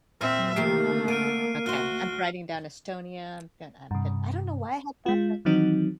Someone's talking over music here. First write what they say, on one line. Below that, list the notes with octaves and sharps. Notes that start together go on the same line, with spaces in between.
Mm, okay I'm writing down Estonia, then I've been I don't know why I had thought that
E2 A#2 C4 E5 F6
C3 D#3 A3 A#3 G4 C7
D3 F6 D7 D#7
D2 F#4 C5 F6 G7
G2 C3
G#3 F4
D#3 E3 F#3 C4 D#4 F#4